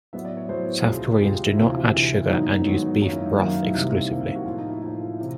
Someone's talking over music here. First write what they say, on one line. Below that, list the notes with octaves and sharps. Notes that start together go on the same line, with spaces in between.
South Koreans do not add sugar and use beef broth exclusively.
A2 F#3 B3 E5
D5
C#5
A2 F#3 B3 C5
C#2 B2 G#3
C#2 B2 G#3 G4
E4
D2 C3 E3 F4
E4
D2 C3 E3
G#2 D#3 F#3 B3 D#4
G#2 D#3 F#3 B3
F#2 D#3 F#3 A#3 D#4
E4
D#4
F#2 D#3 F#3 A#3 E4
D#4
E4
C2 C3 D#3 G3 A#3
C2 C3 D#3 G3 A#3
F#4
A2 F3 A#3 F4
D#4
E4
A2 F3 A#3 E4
C3 E3